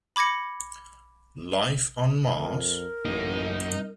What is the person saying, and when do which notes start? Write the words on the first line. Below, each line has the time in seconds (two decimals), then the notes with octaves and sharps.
Life on Mars?
0.16 B5 D6 G#6 A#6 C#7
2.38 F2 A#4
3.05 A1 F#2 A#3 D#4